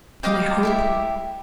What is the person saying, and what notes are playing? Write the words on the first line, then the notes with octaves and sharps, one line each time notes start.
Can I hope?
G4 D#5 F5 D6
E4 G4 E5